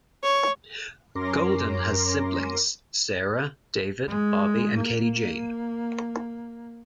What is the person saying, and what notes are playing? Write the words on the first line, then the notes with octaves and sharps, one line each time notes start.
Goldin has siblings: Sarah, David, Bobby and Katie-Jane.
C#5
F#2 C#4 A#4 C6 D6 A#6
G#3
A#3